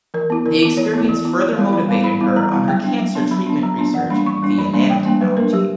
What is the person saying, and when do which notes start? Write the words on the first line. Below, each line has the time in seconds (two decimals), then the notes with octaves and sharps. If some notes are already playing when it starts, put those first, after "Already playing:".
The experience further motivated her on her cancer treatment research via nanotechnology.
0.14 E3 A#4
0.30 B3 E4
0.46 E3 A#4
0.62 B3 E4
0.77 E3 C#5
0.93 B3 E4
1.09 E3
1.25 B3 E4
1.41 E3 C#5
1.56 G3 B3 E4
1.72 E3 B5
1.89 G3 B3 E4
2.04 E3 B5
2.21 G3 B3 E4
2.36 E3 A#5
2.51 G3 B3 E4
2.68 F#3 G5
2.84 B3 D4
3.00 F#3
3.15 B3 D4
3.31 F#3 B5
3.47 B3 D4
3.63 F#3 A#5
3.79 B3 D4
3.94 E3 F#5
4.10 G3 A#3 D4 B5
4.26 E3 C#6
4.43 G3 A#3 D4
4.58 E3 B5
4.74 G3 A#3 D4
4.89 E3 G5
5.05 G3 A#3 D4
5.21 F#3 B4
5.37 A#3 D4 A#4
5.53 F#3 G4